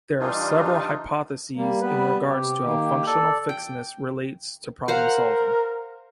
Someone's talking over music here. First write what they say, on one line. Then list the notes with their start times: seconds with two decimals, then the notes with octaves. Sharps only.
There are several hypotheses in regards to how functional fixedness relates to problem solving.
0.20 E3 G3 D4 D#4 F4
1.57 G3 A#3
1.81 G3 B3 B4
2.28 C3 G4
2.64 D#3 A#3
3.07 A4 D5
3.49 G5
4.88 A#4 C5 F5 F#5